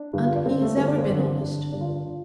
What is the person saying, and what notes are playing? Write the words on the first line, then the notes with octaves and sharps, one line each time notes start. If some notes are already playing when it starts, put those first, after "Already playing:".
And he has ever been honest.
Already playing: D4
G2 D3
F4
D4
G2 D3 C4
A3
G2 D3 C4
D4
C4
G2 D3 D4
C4
G2 D3 D4
G2 D3 D4
F4
D4
D3 F4